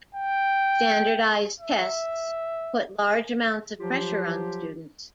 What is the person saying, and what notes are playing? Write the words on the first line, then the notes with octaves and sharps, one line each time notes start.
Standardized tests put large amounts of pressure on students.
G5
E5
F3 F#3 F4 G4